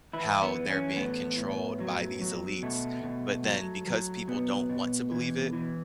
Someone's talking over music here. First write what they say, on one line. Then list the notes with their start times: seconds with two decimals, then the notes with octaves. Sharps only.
how they're being controlled by these elites, but then because people don't want to believe it,
0.13 E3 E4
0.42 B3
0.56 E3
0.69 C#4
0.96 A2 B3
1.38 A2
1.80 F#3
2.22 F#3
2.63 B2 A3
3.04 B2
3.46 F#3
3.88 F#3
4.28 B2 B3
4.69 B2
5.11 E3
5.53 E3